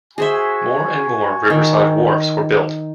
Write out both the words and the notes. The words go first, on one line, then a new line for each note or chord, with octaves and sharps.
More and more riverside wharfs were built.
F#4 G#4 C5 E5 G#5
D#3